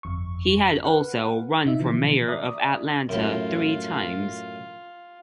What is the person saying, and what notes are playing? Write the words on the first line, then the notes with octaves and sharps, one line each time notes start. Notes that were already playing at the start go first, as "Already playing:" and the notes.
He had also run for mayor of Atlanta three times.
G1 F2 C#6
A#4 B4 F#5
C3 D#4 E5
B2 D3 E3 F3
D5 E5 A#5 D#6
F#2 A2 F4